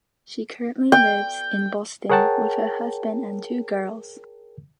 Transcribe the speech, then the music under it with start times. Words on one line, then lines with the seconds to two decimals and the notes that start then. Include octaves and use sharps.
She currently lives in Boston with her husband and two girls.
0.92 G5
2.10 G#4 A#4 C#5 F#5 G5 A5